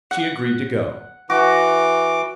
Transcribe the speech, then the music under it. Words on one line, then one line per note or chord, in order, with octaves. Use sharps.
She agreed to go.
F#5
E3 F#4 D6